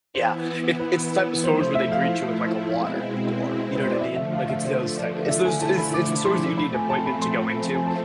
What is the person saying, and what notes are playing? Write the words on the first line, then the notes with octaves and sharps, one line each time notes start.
Yeah, it's it's the type of stores where they greet you with, like, a water at the door, you know what I mean? Like, it's those type of it's those, it's it's the stores that you need an appointment to go into,
E3 B3 E4 C5
B4
F3 A3 E4 C5
C5
E5
F5
B2 G#3 C4 E4 F5
B4
C5
D5
D3 F3 A3 E5
E5
F5
E5
C5
D5
D5
D3 F3 A3 E4 E5
G#5
A5
B5
D6
C6
F3 A3 C4 B5
G#5
A5
B5
C6
G#5
A5